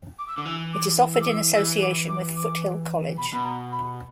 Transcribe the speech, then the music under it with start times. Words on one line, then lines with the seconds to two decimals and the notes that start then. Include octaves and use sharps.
It is offered in association with Foothill College.
0.18 D6
0.27 E6
0.36 D3 D6
0.45 E3 E6
0.73 D6
1.13 E6
1.21 D6
1.29 E6
1.54 E3 E6
1.81 D6
2.08 D6
2.36 D6
3.17 B2 B5
3.33 B2 B5
3.44 A#5
3.72 B5